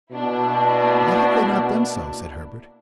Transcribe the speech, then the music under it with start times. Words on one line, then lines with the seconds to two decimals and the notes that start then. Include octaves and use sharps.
"Why have they not done so?" said Herbert.
0.11 B2 A#3 D4 E4